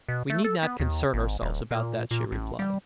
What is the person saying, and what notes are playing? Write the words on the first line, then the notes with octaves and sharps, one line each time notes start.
"We need not concern ourselves about that," she replied.
B2
A3
A4
B3
D#2
G#1
D1
A#2
A#2
A1
G3